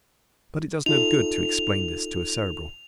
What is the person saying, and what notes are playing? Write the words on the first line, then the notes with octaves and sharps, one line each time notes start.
But it does no good to explain this to a Cerebral.
D#4 F4 A4 F7